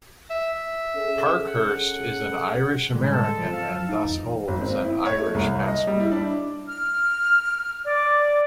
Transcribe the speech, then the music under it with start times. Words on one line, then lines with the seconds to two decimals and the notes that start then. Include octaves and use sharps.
Parkhurst is an Irish-American and thus holds an Irish passport.
0.30 E5
0.96 C#4 G#4 A4
1.47 F#5
2.95 A2 D3 G3 G#3
3.09 A4
3.38 F3
3.53 F5
3.89 D#4
4.05 F2 G#2 E3
4.48 G#1
4.61 C4
4.84 E4
5.05 C#5
5.19 A3
5.34 C2
5.67 D#5
5.87 G3
6.00 E4
6.12 D4
6.67 F6
7.85 D5